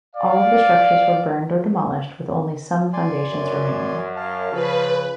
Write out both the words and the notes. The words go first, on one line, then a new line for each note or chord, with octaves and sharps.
All of the structures were burned or demolished, with only some foundations remaining.
D5 F5
D5 G#5 C6
F#2
F5 A5
C#3 F3 B4